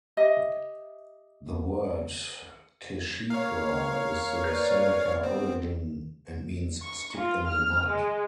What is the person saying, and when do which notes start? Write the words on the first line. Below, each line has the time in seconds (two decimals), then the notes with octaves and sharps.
The word Keshequa is of Seneca origin and means Stick in the Mud.
0.17 G4 D#5 E5
3.30 A#3 C#5 F5
4.44 B4 D5 G6
5.23 B3 C4
6.82 C#6
7.17 F4
7.47 F6
7.89 G#3